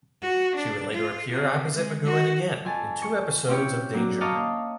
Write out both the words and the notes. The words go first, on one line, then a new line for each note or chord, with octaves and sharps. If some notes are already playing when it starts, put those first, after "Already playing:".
She would later appear opposite McGoohan again, in two episodes of "Danger Man".
F#4
D4
F4
C3
G#3
F#4
F2 G#5 A5
C#6
C4 C#4 E4 G4 B4 C#5
F#3 A#3 D4
C#5 D#5 F5 A5 A#5 D6